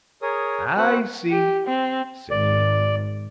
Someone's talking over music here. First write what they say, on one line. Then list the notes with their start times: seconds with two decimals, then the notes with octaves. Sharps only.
"I see," said he.
0.22 G#4 A#4 C#5 D#6
0.77 C4 F#4 B4 F#5 F#6
1.31 G4
1.67 C4
2.30 G#1 D5